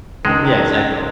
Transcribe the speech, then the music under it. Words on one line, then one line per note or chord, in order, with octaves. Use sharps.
Yeah, exactly.
C#2 D#3 G#3 C4 D4